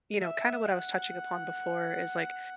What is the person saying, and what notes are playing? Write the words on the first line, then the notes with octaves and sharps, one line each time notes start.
you know, kinda what I was touching upon before is, like,
E5
F#5